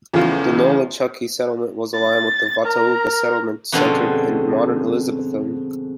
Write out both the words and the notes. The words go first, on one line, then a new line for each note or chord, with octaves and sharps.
The Nolichucky settlement was aligned with the Watauga settlement, centered in modern Elizabethton.
E2 A2 C#3 F3 F4
A6
A#4 A#5
F2 B2 D3 G#3 C4 C#4